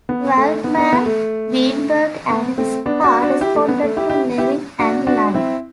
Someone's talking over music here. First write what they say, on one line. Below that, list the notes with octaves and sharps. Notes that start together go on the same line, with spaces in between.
Waldman, Weinberg, and Scarr responded to Levin and Lynn.
B3
A3
B3
B3 D4
B3
A3
B3
A3 C4
B3 D4
D4 F#4
D4 F#4
E4 G4
A3
B3
A3
E4 G4
E4 G4
E4 G4
D4 F#4
D4 F#4
C4 E4